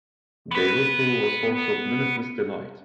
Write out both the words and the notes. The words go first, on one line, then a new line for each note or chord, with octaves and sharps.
They will prove a source of limitless delight.
B3 B4